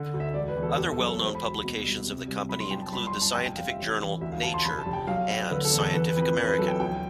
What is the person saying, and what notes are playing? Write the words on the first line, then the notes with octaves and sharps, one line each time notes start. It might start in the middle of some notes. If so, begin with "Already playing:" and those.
Other well-known publications of the company include the scientific journal "Nature" and "Scientific American".
Already playing: D3
D2
E5
E1 D5
B4
E2
A4
B2 G4
A4
B1
A4
E1 C5
B5
D2
B2
C2
C3
C2
B1 B5
C6
B1 G5
A5
G1 B5
C6
G1
A5
F1 G5
G5
F1 F5
E5
A1
E3
D2 E5
F5
D2 A5
C6
F1 B5
A5
F1
G5
B1 F5
A2
D3 B4
A4
E2
A4
E3 B4
B4
F2
B4
E3 B4
B4
B1 A4
G5
D2 G5